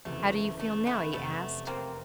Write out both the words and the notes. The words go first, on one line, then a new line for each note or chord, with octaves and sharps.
"How do you feel now?" he asked.
F#1 E2 C3 E3 A3
A3
A3 B3
F1 E2 C3 A3 B3
A#3 C4